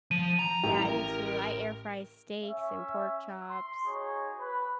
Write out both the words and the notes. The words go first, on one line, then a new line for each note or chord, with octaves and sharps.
Yeah, I do too, I air fry steaks and pork chops.
F3 D#7
A#5
A1 G4
A#4
C#4 E5
C6
D#4 F#4 G#4 C#5
B4